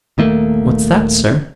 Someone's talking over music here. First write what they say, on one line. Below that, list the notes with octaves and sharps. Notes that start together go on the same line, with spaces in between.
"What's that, sir?"
D#1 D#3 A3 A#3